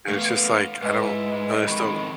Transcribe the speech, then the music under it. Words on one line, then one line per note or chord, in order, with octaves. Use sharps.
and it's just like, I don't I just don't
A3 B3 F5
G#2 B4 D#5
E4
G#3
F2 D#3 B5 C#6